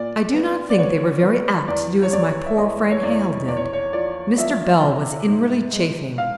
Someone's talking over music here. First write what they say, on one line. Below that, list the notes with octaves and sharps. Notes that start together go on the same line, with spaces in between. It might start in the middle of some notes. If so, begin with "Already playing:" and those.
I do not think they are very apt to do as my poor friend Hale did.' Mr. Bell was inwardly chafing.
Already playing: A#2 D5
B3
D5
B3 C#5
B3
E2 D5
C#5
E2 D5
E5
E2 D#5
C#5
E2 D5
E2 D5
C#5
C#5
F3 D5
F3 E5
C3
G#2
G#3
F5